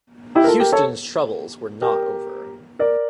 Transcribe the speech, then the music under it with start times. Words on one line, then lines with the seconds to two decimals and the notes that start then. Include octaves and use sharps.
"Houston"'s troubles were not over.
0.35 E4 G4
0.44 A#4
0.48 F4 A4
0.60 G4 A#4
0.72 A4 C#5
1.82 G4 A#4
2.79 A#4 D5